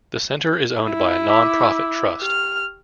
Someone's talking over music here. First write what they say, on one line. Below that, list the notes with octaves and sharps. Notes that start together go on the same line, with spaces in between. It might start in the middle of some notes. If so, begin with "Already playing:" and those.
The centre is owned by a non-profit trust.
E4
D6 E6 B6
G4 F6